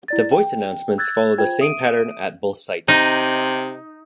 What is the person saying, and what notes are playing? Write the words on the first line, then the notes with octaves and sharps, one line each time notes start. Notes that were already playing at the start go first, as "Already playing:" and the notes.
The voice announcements follow the same pattern at both sites.
E4 D5 A6
G5
E6 F#6 G#6 A6
F4 C5 G5 G#6
E5 D#6 D7 D#7
C3 D#4